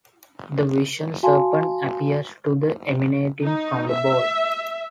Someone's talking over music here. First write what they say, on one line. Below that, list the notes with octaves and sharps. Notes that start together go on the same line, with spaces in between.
The Vision Serpent appears to be emanating from the bowl.
F#4 F5 G#5 A5 C6
D#4
E5